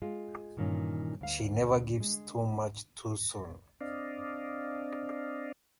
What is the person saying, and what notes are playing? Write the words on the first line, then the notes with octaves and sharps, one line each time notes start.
She never gives too much too soon.
G#3 F4
G2 A#2 D#3 E3 C#4
D2 F5
G#3
C4 D4 D5 D#5 F5